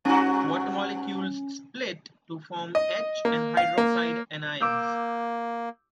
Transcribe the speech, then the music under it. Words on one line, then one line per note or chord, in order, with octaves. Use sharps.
Water molecules split to form H and hydroxide anions.
G2 C#4 F#4 G#5
D#5
A#3
F5
A#3
A#3 D6 E6 G6